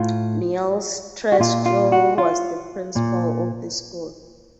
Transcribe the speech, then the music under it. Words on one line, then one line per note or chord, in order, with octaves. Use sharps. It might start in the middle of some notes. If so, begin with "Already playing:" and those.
Niels Treschow was the principal of this school.
Already playing: A2 F4
F#4
A#2 F4
F4
F#4
F4
A#2